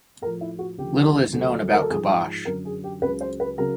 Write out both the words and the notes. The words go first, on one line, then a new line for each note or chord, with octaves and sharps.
Little is known about Khabash.
A2 F3 A#4
E4
F#4
D2 C#3 F3 G4
D2 D3 F#3
A#4
A4
G#2 F3 G#4
F#2 D3 F#3 A#4
G#4
G4
C#2 C#3 F#3 B4
C5
B4
C#3 F#3 A#4